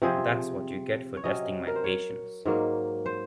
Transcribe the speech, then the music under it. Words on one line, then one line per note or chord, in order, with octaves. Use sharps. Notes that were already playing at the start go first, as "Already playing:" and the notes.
Thatâs what you get for testing my patience.
C3 F3 C4 G#4
C#5
C3 F#3 C#4 D#5
A#4
C5
C#5
G#2 F#3 A#3
C5